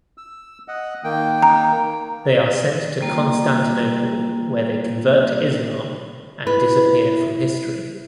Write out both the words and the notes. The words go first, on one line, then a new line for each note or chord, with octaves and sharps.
They are sent to Constantinople where they convert to Islam and disappear from history.
E6
D#5 F#5
D#3 A#3 G5
A#5
G3 A#3 F4
E4 B4